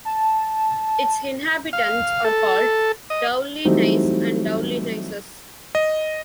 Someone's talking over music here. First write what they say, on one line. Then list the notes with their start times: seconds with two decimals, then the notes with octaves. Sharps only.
Its inhabitants are called Doullennais and Doullennaises.
0.05 A5
1.73 F5
2.24 A4
3.10 D#5
3.65 E3 F#3 G3 A3 C4 D#4
5.75 D#5